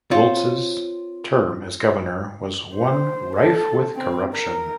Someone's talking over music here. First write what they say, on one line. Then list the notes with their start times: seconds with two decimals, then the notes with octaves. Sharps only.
Wiltz's term as governor was one rife with corruption.
0.11 C4 F4 C#5
2.75 C5
3.36 A4
3.95 C4
4.35 A#4